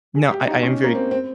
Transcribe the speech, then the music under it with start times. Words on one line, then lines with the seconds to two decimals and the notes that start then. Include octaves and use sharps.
No, I I am very
0.15 G#4
0.31 G4
0.47 D#4
0.63 C#4
0.84 A#3
0.95 C4
1.11 C4